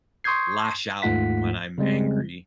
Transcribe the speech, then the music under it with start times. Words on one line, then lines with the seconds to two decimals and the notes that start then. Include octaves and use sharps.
lash out when I'm angry
0.24 C6 C#6 D#6 G6 G#6 C7
1.02 D#2 G#2 A3 F4 F#5 B6
1.78 C#3 G3 G#3 C4